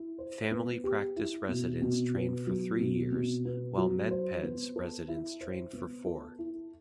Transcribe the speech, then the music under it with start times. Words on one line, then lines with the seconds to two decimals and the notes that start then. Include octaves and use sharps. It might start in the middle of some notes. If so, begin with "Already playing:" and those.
Family Practice residents train for three years, while Med-Peds residents train for four.
Already playing: E4
0.18 C5
0.51 B3
0.84 G4
1.16 E4
1.49 B2
1.82 B2
2.15 B3
2.47 F#3
2.79 B2
3.12 B2
3.45 B3
3.77 F#3
4.11 C5
4.43 B3
4.76 A4
5.08 E4
5.41 C5
5.73 B3
6.06 A4
6.39 E4